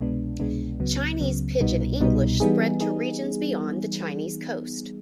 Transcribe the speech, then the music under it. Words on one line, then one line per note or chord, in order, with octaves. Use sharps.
Chinese Pidgin English spread to regions beyond the Chinese Coast.
C2 B2 G#3 B3 D4
C2 B2 G#3 B3 D4
C#2 C#3 F#3 B3
C#2 C#3 F#3 B3
C2 B2 G3 B3 D#4
C2 B2 G3 B3 D#4
E3 G3 B3 D#4 G#4
D#4 G#4